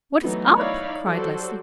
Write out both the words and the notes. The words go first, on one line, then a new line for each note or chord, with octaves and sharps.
"What is up!" cried Leslie.
E3 F#3 A3 B3 D#4
D#4 E4 C#5 D5 F5 B5
F#3 G3 F#4 A4 C5 D5